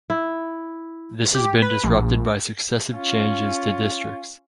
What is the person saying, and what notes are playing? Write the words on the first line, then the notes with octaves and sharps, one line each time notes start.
This has been disrupted by successive changes to districts.
E4
G4
B4
A#1
C#4 F4